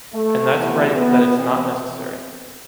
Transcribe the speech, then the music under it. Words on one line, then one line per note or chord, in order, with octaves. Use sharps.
And that’s right that it’s not necessary.
A3
C3 E3 B3
B3
C3 E3 C4